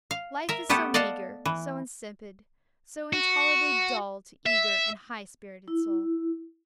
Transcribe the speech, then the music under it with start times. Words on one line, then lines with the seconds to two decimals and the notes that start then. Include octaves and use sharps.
Life is so meagre, so insipid, so intolerably dull to eager and high-spirited souls!
0.11 F5
0.49 A#4 E5
0.69 A3 B3 G4 A4 F#5
0.94 D5 D#5 F5 F#5 A5
1.45 E3
3.13 F#4
4.46 E5
5.68 E4